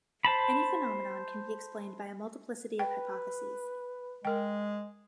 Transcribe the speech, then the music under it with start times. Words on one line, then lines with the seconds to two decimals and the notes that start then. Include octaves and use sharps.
Any phenomenon can be explained by a multiplicity of hypotheses.
0.25 C5 A5 B5
2.79 B4 G5
4.25 G#3 A#4 G5